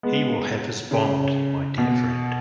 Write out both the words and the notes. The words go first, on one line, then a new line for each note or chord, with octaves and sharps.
He will have his bond, my dear friend.
G#3 B3
C#3
B2